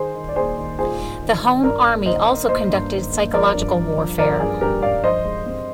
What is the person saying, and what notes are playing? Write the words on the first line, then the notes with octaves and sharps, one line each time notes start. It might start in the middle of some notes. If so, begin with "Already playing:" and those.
The Home Army also conducted psychological warfare.
Already playing: D#3 G#4 C5
D#3
D5
A#3 G#4 C5
D#3
F4 G#4 C5
G#2
D#3
D#3
G2 A#4 D5
A#3
D#3 C5 D#5
D#3
A#3 C5 D#5
G2
D#3
A#3
F3 A#4 D5
G2
F3
F3
F3 A#4 D5
G2 G#4
G2 G4 A#4
G2 D5 F5
F3 C5 D#5
G#3
C4